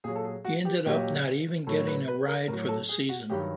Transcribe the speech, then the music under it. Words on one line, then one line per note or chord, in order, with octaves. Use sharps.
He ended up not even getting a ride for the season.
A#2 F#3 G#4
A4
G#4
F#4
G4
A#2 F#3 G4
A2 F#3 A4
B4
B4
A#4
A2 F#3 A#4
A4
G#4
F#4
G2 D#3 F#3 G4